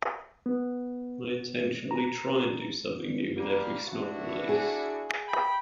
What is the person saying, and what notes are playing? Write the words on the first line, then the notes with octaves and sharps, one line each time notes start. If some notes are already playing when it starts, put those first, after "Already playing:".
I intentionally try and do something new with every Snog release.
B3
A#5
G3 A#3
D4 E4 F#4
G#4
G5 B5